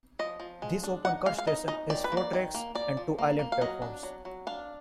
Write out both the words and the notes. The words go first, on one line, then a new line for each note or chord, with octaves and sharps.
This open cut station has four tracks and two island platforms.
F3 D#5
F3
G#3
D4
D#4 F#5
G#3 F5
F5
D#4 D#5
D#4 D#5
D#3 D5
B4
A#3
D5
D#3
A#3
A#3 D5
F3
A#3
A#3
F5
F#3 D#5
D4
F#3
F#3
D4 F5